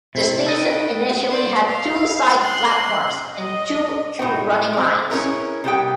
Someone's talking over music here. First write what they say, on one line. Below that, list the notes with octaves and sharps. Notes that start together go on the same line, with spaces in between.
The station initially had two side platforms and two through running lines.
C3 E4
A4 B4 D#5 G5
C5 D5
F5
C6 F#6
D#5
A2 A#3 D#4 F#4 G5
G#3 C4
C#4 E4 G#4 A#4 B4
C3 G3 B3 G4 G#4 G5